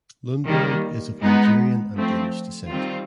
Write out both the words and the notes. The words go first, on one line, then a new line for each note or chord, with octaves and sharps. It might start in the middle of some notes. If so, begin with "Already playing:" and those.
Lundberg is of Nigerian and Danish descent.
D#3 G3 A#3
G#3 B3 D#4
F3 A3 C4
D#3 G3 C4 F4